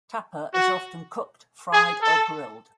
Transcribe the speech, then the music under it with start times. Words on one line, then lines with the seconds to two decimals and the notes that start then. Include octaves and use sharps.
"Tapa" is often cooked fried or grilled.
0.54 F#4
1.73 G#4
2.03 A4